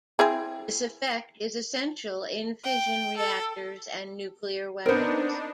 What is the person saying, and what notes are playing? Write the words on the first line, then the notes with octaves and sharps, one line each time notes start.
This effect is essential in fission reactors and nuclear weapons.
C4 E4 G#4
G5
A4
B3 C4 D4 D#4 A#4 C5